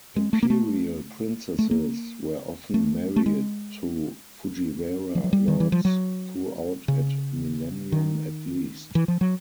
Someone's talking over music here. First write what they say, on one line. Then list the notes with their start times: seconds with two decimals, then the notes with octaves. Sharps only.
Imperial princesses were often married to Fujiwara lords - throughout a millennium at least.
0.16 G#3
0.33 A3
0.43 A#3
0.50 A3
1.59 A3
1.71 A#3
2.74 A3
3.16 A3
3.26 G#3
5.15 F3
5.24 F#3
5.33 G3
5.48 D#3
5.60 E3
5.72 F3
5.85 F#3
6.88 C#3
7.92 D#3
8.95 E3
9.08 F3
9.21 F#3